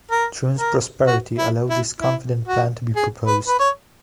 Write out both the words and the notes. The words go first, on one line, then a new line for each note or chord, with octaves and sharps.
Troon's prosperity allowed this confident plan to be proposed.
A#4
A#4
F#4
E4
E4
E4
F#4
G#4
B4
B4
C#5